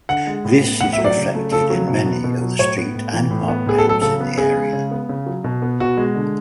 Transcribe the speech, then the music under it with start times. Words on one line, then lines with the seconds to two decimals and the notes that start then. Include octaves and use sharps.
This is reflected in many of the street and park names in the area.
0.09 D3 F#5
0.27 G#3
0.45 A2
0.63 B3
0.81 A2 F#5
0.93 E5
0.98 F#3
1.04 D5
1.17 C#3
1.35 A3
1.51 C#3 A4
1.70 F#3
1.87 B2
2.06 B3
2.24 B2
2.41 F#3
2.59 A2 C#5
2.77 B3
2.95 A2
3.13 E3
3.30 A2
3.48 B3
3.66 A2 G#4
3.78 A4
3.84 F#3
3.89 A4
4.01 C#3 A4
4.20 B3
4.37 C#3 G#4
4.55 G#3
4.73 C#3
4.91 B3
5.09 C#3
5.26 F#3
5.44 B2
5.62 B3
5.80 B2 F#4
5.97 G#3
6.15 D3